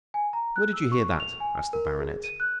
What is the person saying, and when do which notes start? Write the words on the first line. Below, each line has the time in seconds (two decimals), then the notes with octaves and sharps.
"Where did you hear that?" asked the Baronet.
0.14 G#5
0.33 A#5
0.56 F#6
0.73 E6
0.92 C#6
1.20 F7
1.40 G#5
1.73 A#4
1.99 G#4
2.24 D#7
2.40 F#6